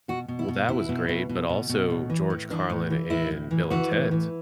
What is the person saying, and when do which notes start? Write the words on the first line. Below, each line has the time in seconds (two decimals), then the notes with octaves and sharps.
Well, that was great, but also George Carlin in Bill and Ted's.
0.08 B2 F#4
0.28 B2
0.39 E4
0.48 B2
0.68 B2 E4
0.89 B2
1.09 B2
1.29 B2
1.49 B2
1.69 B2
1.90 A2
2.10 E3
2.30 A2
2.50 E3 D4
2.70 A2
2.90 E3
3.10 A2 E4
3.31 A2
3.51 E3
3.70 E3 F#4
3.91 A2
4.11 E3